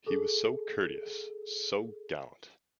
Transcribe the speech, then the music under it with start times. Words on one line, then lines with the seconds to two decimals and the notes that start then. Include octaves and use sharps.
He was so courteous, so gallant!
0.06 G#4 A4